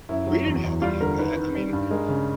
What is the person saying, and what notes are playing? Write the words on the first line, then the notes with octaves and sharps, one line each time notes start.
We didn't have any of that. I mean,
F#2 E4
F#3
E2
E2
G3 F4
D3 A#4
D#3 B4
D#3
G3
G2
G#3 A#4
C#3